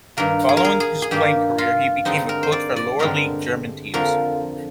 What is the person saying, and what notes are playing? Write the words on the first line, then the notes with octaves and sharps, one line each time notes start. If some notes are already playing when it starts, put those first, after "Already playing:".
Following his playing career, he became a coach for lower-league German teams.
G2 D#3 A#3 A#4
G#4
A#4
G#4
G#4
G#4
G2 D#3 A#3 G4
F4
G2 D3 G#3 C4 D#4
A#4
C5
D5
D5
G2 D3 G#3 C4 A#4
F2 D3 F3 A#4